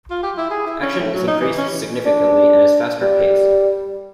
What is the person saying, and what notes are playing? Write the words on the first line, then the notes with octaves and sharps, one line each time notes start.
Action is increased significantly and is faster-paced.
F4
G4
E4
G#4
E4
C#4
A2
F#3
D#4
E3
C#4
E3
D4
G3